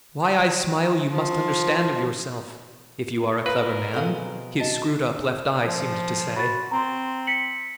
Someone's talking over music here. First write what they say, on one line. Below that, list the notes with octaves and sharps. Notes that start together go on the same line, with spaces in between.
"Why I smile you must understand of yourself, if you are a clever man," his screwed-up left eye seemed to say.
F3
A#4 B4 F5 A#6
B2 C4 G#4 A4 F5
F#4 D#5 A5
F3
F#4 B5 A6
C4 A#5 C6
B6 C#7 F#7